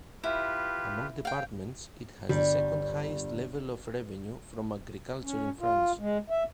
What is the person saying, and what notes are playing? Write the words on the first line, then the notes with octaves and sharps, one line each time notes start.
Among departments, it has the second highest level of revenue from agriculture in France.
E4 F4 G4 B4
F5 G5
G1 G3
C#4
F4
G#3
E5